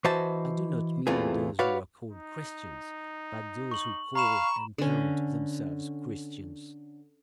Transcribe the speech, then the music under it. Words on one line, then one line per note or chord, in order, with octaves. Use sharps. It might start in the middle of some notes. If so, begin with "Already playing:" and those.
I do not mean those who are called Christians, but those who call and count themselves Christians.
E3 F#4 C5 D#5 E5 A5
E2 C3 E3 A3 F4 G#4
F#4 B4 C#5 D5 F5
D#4
C#6 F#7
F5 A#5 B5 C#6 E7
D3 C#4